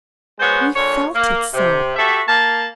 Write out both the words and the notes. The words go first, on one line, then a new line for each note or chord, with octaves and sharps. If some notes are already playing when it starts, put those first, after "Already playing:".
We felt it so!
F#3 G#3 B3 C5 C#5
A#2 D3 C#5
A#3
C3
F#4 G4 A4 E5
A#3 A5